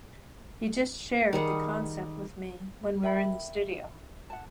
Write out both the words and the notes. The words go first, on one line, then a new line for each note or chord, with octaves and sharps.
He just shared the concept with me when we were in the studio.
D#3 G3 G#4 F#5
A#4 E5 G5 B5
F#5 A5